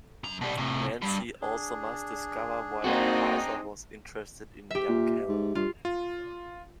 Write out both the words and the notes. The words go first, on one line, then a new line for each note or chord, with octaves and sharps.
Nancy also must discover why Asa was interested in young Carol.
F#2 A#5
B2 G3
A2 C3
G2
D4 G#4
A#3 C4 D#4 F#4
G4 E5
A#2
G#2
G2 F4
F4